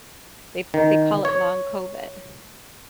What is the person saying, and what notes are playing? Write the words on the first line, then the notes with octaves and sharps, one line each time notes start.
they they call it Long Covid.
D#3
C#5